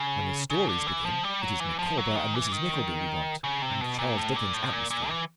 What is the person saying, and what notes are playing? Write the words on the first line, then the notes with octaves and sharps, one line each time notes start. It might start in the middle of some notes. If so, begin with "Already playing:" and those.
When the stories begin, it is Micawber and Mrs. Nickleby we want, and the Charles Dickens atmosphere.
Already playing: C#3
C#3
D3
E3
F3
G3
F#3
E3
F3
F#3
D#3
E3
D#3
C#3
C3
B2
A#2
A2
A#2
A2
A#2
A#2
E3